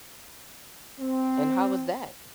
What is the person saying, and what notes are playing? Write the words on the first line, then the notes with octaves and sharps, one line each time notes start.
And how was that?
C4